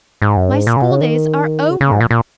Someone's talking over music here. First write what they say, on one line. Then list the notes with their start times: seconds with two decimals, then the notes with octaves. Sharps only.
My school-days are over!
0.22 G#2
0.37 F#2
0.51 G#2
0.67 A#2
0.77 C#3
0.82 B2
0.91 C#3
1.01 D#3
1.71 C#3
1.81 C#3
1.91 G#2
2.01 A#2
2.11 A#2